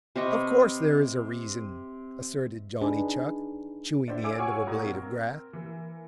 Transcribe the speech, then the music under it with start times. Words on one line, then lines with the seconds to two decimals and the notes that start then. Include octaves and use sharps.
"Of course there is a reason," asserted Johnny Chuck, chewing the end of a blade of grass.
0.16 C3 B4 D#5 C#6
2.81 D4 D#4 G#4 B4
4.08 D4 E4 C5 E5
4.24 G#4 F5 D6 E6 D7
4.38 F4 C#5 F#5 G#5 C#6
4.67 A#2 F#5 A#5 C#6 D#6 G#6
4.86 C4 A#4
5.53 E3 A#3